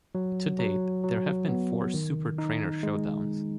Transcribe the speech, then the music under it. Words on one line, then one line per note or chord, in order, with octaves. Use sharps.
To date, there have been four Super Trainer Showdowns.
F#3
F#3
F#3
B3
D#3
D#4
G#3